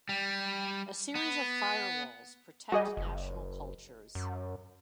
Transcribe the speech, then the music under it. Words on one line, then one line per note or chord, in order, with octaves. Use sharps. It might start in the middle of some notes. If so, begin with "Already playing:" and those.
A series of fire-walls protect national cultures.
G3
B3
G3 F#4 G#4 D#5
F#1
F#2